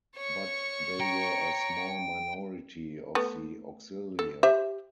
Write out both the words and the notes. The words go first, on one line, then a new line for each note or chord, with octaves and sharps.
But they were a small minority of the "auxilia".
C#5 C#6
G5 A#5
A3 B3
A4
G4 C5 E5